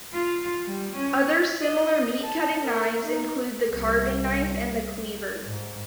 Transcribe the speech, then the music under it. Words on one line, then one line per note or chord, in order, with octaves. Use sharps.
Other similar meat-cutting knives include the carving knife and the cleaver.
F4
G3
C#4
D#5
A5
A#4
D#4
C2
G#2